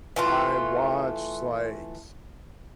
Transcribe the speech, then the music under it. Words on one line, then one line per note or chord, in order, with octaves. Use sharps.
I watched like,
E3 A3 F4